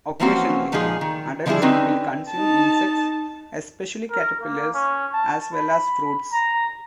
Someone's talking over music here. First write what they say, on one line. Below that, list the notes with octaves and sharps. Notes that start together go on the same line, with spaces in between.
Occasionally adults will consume insects, especially caterpillars, as well as fruits.
E3 F3 A#3 C4 C#4 F#4
A#2 F3 G#3 D#4 G#4
D#3
D3 F3 G3 D#4 E4 G#4
D3 C4 C#4 D#4 E4 B4
D#4 A5
A#4
A#3
C#4
A5
B5
A#5